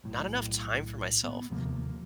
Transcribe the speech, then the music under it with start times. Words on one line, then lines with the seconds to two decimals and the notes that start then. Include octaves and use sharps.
not enough time for myself.
0.04 B1 A2
1.24 B3
1.50 D#2 C3 F3 A#3